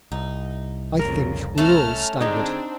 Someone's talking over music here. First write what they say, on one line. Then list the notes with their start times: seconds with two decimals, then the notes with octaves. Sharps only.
I think we were all staggered.
0.12 C2 D#4
0.99 F2 A#2 C#3 A#4
1.58 A3 C#4 A4 A5 A#5 F6
2.21 D3 G#3 C4 D4 D#4